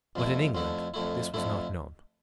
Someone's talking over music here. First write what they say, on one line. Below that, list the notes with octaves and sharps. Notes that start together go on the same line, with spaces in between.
But in England this was not known.
F2 D3 A3 E4
F2 D3 A3 E4
F2 D3 A3 E4
F2 D3 A3 E4